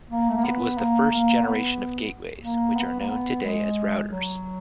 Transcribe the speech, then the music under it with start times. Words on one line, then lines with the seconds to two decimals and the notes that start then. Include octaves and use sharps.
It was the first generation of gateways, which are known today as routers.
0.11 A#3
0.29 A3
0.37 A#3
0.44 B3
0.78 A#3
1.10 A#3
1.44 B3
2.43 A#3
2.76 B3
3.00 A#3
3.09 B3
3.42 G#3
4.09 F#3